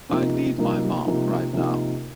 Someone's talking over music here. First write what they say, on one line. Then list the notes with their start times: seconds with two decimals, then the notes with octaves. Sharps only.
I need my mom right now.
0.09 C3 F3 A#3 D#4
0.58 C3 F3 A#3 D#4
1.05 C3 F3 A#3 D#4
1.53 C3 F3 A#3 D#4